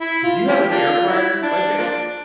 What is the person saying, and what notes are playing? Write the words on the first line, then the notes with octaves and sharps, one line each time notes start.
do you have an air fryer, by chance?
E4
F4
C4 E4 G4
A#3 D4 F4
E4
D4
F3 A#3 D4